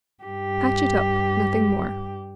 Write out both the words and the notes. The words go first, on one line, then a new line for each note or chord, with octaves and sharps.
Patch it up, nothing more.
G2 G4